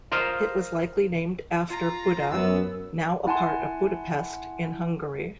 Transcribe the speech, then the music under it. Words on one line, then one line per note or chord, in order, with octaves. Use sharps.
It was likely named after Buda, now a part of Budapest, in Hungary.
F4 A#4 C5 D#5 F5
F4 A#5
F#2 B3 E6
E4 F#5 G#5 A5 C6